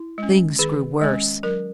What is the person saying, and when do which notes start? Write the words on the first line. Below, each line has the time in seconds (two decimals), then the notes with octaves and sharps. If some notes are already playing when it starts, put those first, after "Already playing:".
Things grew worse.
Already playing: E4
0.18 G#3 C#4
0.59 D#3 G#4
1.01 G#3 C#4
1.43 F#3 A#4